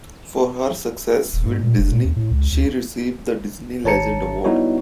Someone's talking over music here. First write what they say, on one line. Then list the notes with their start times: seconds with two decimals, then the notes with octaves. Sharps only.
For her success with Disney she received the Disney Legend Award.
1.33 D#1
1.46 G#2
1.63 A#2
1.78 F1
1.92 A#2
2.05 D#2
2.16 A2
2.31 C#2
2.52 D2
3.84 G#1 C#5 A5 A#5 C#7
4.44 G3 B3 D#4 E4 F#4 C#5